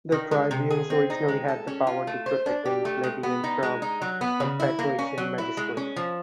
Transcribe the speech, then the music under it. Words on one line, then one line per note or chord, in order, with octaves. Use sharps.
The tribunes originally had the power to protect any plebeian from a patrician magistrate.
D#3
G#3
C3
G#4
C4
D#4
G#3
A4
C#4
F4
A3
C5
D4
G4
A3
G#3
B3
D#4
G#3
D#4
F#3
B3
C#3
E4
A#3
C#4
F#3
E4
G#3
C#4
F3